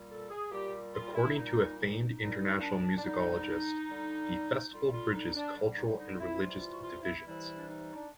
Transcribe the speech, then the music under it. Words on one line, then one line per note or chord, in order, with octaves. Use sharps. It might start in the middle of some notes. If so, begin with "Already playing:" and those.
According to a famed international musicologist, the Festival bridges cultural and religious divisions.
Already playing: A#2 G3
A4
G#4
A#2 G3 G4
F4
E4
A#2 G3 D#4
D#4
A#2 G3 D#4
D4
D4
D3 G3 D#4
D3 G3
D3 G3 F4
F4
D#4
D4
D3 G3
D#4
D#4
F4
E4
C3 E3 G3 F4
F4
F#4
F4
E4
C3 E3 G3 E4
D4
D#4
D4